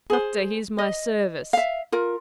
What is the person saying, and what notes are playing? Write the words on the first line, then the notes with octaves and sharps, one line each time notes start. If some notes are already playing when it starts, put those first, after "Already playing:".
Doctor, here's my service.
G#4 C5
D#5
E5 F5
F4 A#4